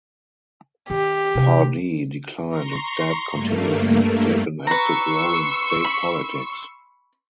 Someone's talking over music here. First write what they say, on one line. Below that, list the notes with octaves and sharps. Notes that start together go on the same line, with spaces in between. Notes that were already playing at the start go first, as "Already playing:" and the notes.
Pardee declined, instead continuing to take an active role in state politics.
D#3 G4
C3 D4
A#5 C6 C#6
G2 A3 A#3
B4 A#5 C6 C#6 E6
B5